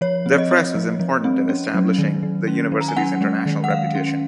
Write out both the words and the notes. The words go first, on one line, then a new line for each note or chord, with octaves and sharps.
The Press was important in establishing the university's international reputation.
F3 C#5
C4
D#5
C4
F3
F3
C4
C#4
F#3
D#3
D#3
C#4
F#3
A#5
G#5
C#4 F#5
G#3
D#3
F#5
D#3 F5
C#4